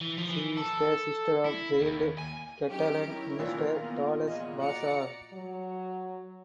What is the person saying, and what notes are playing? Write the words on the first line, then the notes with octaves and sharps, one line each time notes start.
She is the sister of jailed Catalan minister Dolors Bassa.
E3
F3
E3
A4
E4
D#2
G#5
F#3 C#4 D#4 G4 D7
E4 A#4 C#5
A#2 D#3 E3 D4 F4
B3
E3 G#4 D#5
F#4 D5 A#5 C#7
F#3